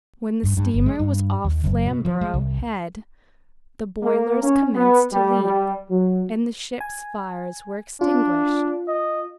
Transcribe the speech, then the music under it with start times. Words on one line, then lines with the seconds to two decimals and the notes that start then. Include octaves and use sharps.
When the steamer was off Flamborough Head the boilers commenced to leak, and the ship's fires were extinguished.
0.43 G2
0.57 G2
0.74 G1
0.86 G#3
0.99 G2
1.44 D#2
1.64 F#1
1.87 B2
2.05 F3
2.21 G#3
2.34 C2
4.03 A#3
4.43 C#4
4.75 B3
5.13 G3
5.43 G3
5.90 F#3
6.80 G#5
8.01 D4 F4
8.88 D#5